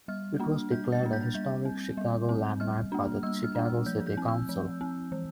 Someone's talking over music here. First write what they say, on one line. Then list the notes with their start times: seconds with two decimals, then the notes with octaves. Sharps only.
It was declared a historic Chicago Landmark by the Chicago City Council.
0.08 G3 F6
0.39 A#3 D4
0.72 G3 G6
0.92 A6
1.03 A#3 D4
1.13 G6
1.34 G3 G6
1.65 C4
1.97 G3
2.29 C4
2.60 G3 F6
2.92 A#3 D4
3.23 G3 E6
3.44 F6
3.55 A#3 D4
3.65 F6
3.86 F3 G6
4.07 G6
4.17 C4
4.28 E6
4.49 F3
4.81 C4
5.12 E3